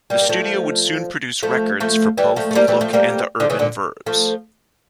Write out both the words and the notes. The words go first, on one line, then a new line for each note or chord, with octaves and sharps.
The studio would soon produce records for both the Look and the Urban Verbs.
G3 A#3
A#3
F3 A3
F3 A3
F3 A3
E3 G3
F3 A3
A3
G3 A#3
E3 G3
F3 A3
G3 A#3
D3 F3
C#3 E3
A#2 D3
F3 A3